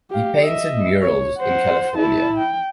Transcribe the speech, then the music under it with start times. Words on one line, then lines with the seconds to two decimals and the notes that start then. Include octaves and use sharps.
He painted murals in California.
0.10 G4 F5
0.40 D#5 E5
1.02 C#5
1.39 C5 F#5
1.96 E4 A5
2.37 G5